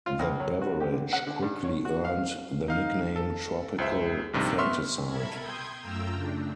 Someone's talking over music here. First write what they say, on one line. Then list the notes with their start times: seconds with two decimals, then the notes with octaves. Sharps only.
The beverage quickly earned the nickname Tropical Fanticide.
0.06 F4
0.19 C#2
0.40 F#3
0.61 F#4
0.80 G4
0.92 D3
1.13 F#5
1.27 D3
1.42 G2
1.64 C#5
1.85 F#4
2.05 F5
2.68 D#4 F5 F6
3.16 A4
3.78 C#2 C5 E5
4.33 A#1 G2 C3 D#3
4.58 B3 E5 C6 C#6 F6
5.05 B2 A4 A#4 E5 B5 G#6
5.39 G5 C6 D#6 G6 G#6
5.78 F#2 A3 F4 G5 A#5 E6
6.10 C#3 A3 D4